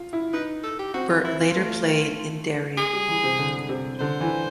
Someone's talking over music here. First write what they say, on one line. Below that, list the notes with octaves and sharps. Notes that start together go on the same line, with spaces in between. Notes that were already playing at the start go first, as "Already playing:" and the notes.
Burt later played in Derry.
Already playing: F4
E4
D#4 B4
A4
G4
C4 F#4
F4
E4
F4
A3
G#4
G3
E3
C3
D3
C3
D3 C5
E3